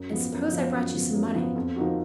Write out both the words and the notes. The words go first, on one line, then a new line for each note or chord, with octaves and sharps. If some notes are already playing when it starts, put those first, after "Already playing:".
"And suppose I brought you some money?"
Already playing: F#2
F3 B3
F#2
F3 B3
F#2
F3 B3
F#2
F3 B3
F2
F3 A#3 D#4 F#4